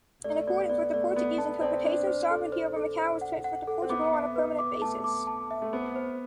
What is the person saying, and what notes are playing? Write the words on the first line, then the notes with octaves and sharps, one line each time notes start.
In accordance with the Portuguese interpretation, sovereignty over Macau was transferred to Portugal on a permanent basis.
A3 D5
B3 D5
B3 D5
A3 D5
B3 D5
B3 A5
C4 D5
D4 D5
C5
A4
C5
A4
C5
F#5
F#5
A4
C4
B3 D6
E5
B4
D6
A3 A5
D6
A5
E5
A3
B3 C5
C5